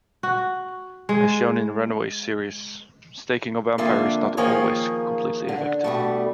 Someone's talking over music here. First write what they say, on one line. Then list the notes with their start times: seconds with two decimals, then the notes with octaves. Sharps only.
As shown in the Runaways series, staking a Vampire is not always completely effective.
0.23 F#4
1.09 G#3
3.78 F2 D3 A#3 F4 E5
4.37 D#3 F3 A#3 G#4 C#5
5.49 D3
5.84 B2 G3 A3